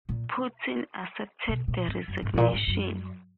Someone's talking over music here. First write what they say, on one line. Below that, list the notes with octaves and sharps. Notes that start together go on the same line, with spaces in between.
Putin accepted the resignation.
A#2
B2
A#2
G#2
F#2
G#2
G#2
A#2
G#2
F#2